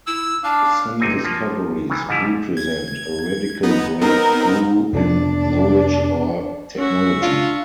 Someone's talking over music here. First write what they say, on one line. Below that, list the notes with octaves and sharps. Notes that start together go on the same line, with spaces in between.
Some discoveries represent a radical breakthrough in knowledge or technology.
E4 E6
D4 F5 A5
G1 C3 C4 D#4 G#5
F3 A#3
D#3 E3
G#2 F3 G3 E4
G#6
B3 D#4
B3 C4 D#4 A#4
F2 C3 B3 D4
C#4 F#4 E5
D4 F4